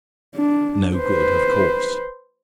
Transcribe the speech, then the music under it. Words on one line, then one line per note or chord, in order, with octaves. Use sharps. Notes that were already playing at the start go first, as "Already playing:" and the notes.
No good, of course.
D4
B4 C5